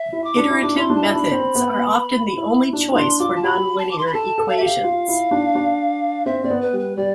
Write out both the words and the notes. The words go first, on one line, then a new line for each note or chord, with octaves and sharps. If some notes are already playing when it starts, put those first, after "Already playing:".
Iterative methods are often the only choice for nonlinear equations.
Already playing: E5
E4
D6
D4
E4
D4 D6
E4 C6
D4
A5
E4
D4 B5
C4
B3
B3
E4
D4
E4
D4 C6
F4 D6
A5
G4 B5
A5
D6
C6
B5
A4 A5
A4
F5
E5
G4 F5
F4
E4
D4
D4
C4 E5
C4 D5
B3
B4
G3
B4
G3 D5